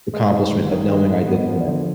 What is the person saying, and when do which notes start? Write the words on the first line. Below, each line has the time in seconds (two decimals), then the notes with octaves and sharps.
accomplishment of knowing I did that.
0.14 G#3
0.32 G#2
0.52 G#1
0.71 D#3
0.90 G#3
1.10 G#2
1.28 B3
1.47 F3
1.66 D3